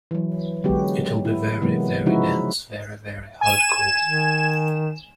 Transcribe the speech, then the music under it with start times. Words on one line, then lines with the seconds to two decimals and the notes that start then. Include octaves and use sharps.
It'll be very very dense, very very hardcore.
0.11 E3 F#3
0.64 D3 F#3 G#3 B3 F#4 G4
1.25 E4
1.62 C3 E3 F#3 G#3 A#3 B3
2.06 C#3 F3 G#3 D#4 E4 F#4
3.41 G#5 E7
4.04 D#3